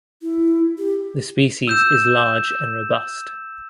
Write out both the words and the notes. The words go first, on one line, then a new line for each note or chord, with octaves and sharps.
The species is large and robust.
E4
G4
E6 G6 E7